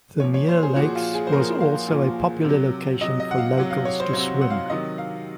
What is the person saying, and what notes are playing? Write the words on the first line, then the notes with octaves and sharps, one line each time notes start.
Thirlmere Lakes was also a popular location for locals to swim.
A#2 F3 C#5
C#5
C5
G#4
A#2 F3 F#4
F4
G#4
C5
A#2 F3 A#4
F5
A#2 F3
C3 F#3
C3 F#3 D#5
D#5
F#5
F5
C3 F#3 F#5
F5
C#5
C5
C3 F#3 C#5
F#5
F5
C3 D#3 F#3 D#5
F5